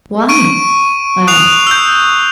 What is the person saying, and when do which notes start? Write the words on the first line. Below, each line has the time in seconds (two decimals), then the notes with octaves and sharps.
"Why?" I asked.
0.29 C#6 D7 D#7
1.27 D#6 F#6 C7 F7
1.67 E6 G6